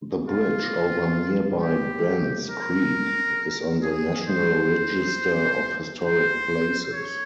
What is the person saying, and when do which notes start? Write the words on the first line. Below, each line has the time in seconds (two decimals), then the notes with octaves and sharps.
The bridge over nearby Bens Creek is on the National Register of Historic Places.
0.28 F4
1.61 G4
2.50 A#4
3.82 G#4
4.28 C5
6.05 C5
6.93 C#5